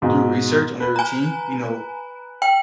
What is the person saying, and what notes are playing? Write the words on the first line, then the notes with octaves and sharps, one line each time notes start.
do research on their routine, you know,
G#2 B2
B4
G#5 A#5
G5